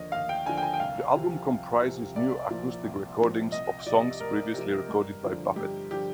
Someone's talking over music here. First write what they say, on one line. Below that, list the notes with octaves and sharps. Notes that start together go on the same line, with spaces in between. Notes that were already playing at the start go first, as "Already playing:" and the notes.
The album comprises new acoustic recordings of songs previously recorded by Buffett.
Already playing: D#2 D3 F3 D#5
D#2 F5
G5
D3 F3 G#5
G5
G#5
G5
C2 F5
C3 F3
C2
C3 F3
C2 D5
A#2 F3
C2
A#2 F3
C2 D#5
C3 F3 D5
C2 A#4
C3 F3
G2
D3 F3
G2 G4
D3 F3 G4